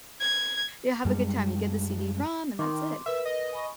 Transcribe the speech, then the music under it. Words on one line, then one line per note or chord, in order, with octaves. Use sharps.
Yeah, have a good time, you get the CD-ROM and that's it.
G#6
F#2 G3 G#3
D#3 C6 D6
A#4 B4 E5
D#5
G#5 B5 C#6